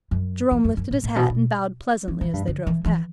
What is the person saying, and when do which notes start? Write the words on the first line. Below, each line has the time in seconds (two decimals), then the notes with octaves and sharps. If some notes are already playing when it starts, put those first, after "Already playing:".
Jerome lifted his hat and bowed pleasantly as they drove past.
0.11 F#2
0.51 E2
0.64 F#2
0.77 F#2
0.91 A2
1.04 A2
1.16 B2
1.30 B2
2.08 E3
2.21 E3
2.33 G2
2.47 D3
2.67 E3
2.86 E3